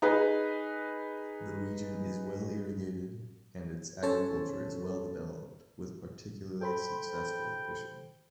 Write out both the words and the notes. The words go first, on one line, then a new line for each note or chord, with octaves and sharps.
The region is well-irrigated and its agriculture is well-developed, with particularly successful fishing.
D#4 G#4 B4
C#4 A4 C5 C#5 A5
A4 C5 G5 B5